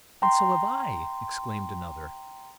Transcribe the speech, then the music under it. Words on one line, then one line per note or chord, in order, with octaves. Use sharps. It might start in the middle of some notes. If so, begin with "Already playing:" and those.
"And so have I," exclaimed another.
G5 A#5 C6